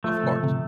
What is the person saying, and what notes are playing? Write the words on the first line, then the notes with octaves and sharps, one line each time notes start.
Of course.
F3 A3
C3
C3